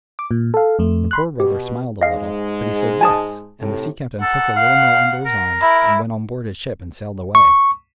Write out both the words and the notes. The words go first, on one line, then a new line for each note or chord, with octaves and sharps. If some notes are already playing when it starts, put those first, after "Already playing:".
The Poor Brother smiled a little, but he said, "Yes," and the Sea Captain took the Little Mill under his arm, and went on board his ship and sailed away.
D6
A#2
A4 F5
F2 A3
B5 C6 F#6
B2 G4
G#2 G#3 D#5 F5
G#5 A5 D#6
A2 C3
A4 F#5
F5
A#4
E4
C#6